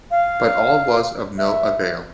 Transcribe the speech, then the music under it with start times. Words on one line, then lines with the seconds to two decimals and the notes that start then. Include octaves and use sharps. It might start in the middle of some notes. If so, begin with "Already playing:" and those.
But all was of no avail.
0.11 F5
1.38 E5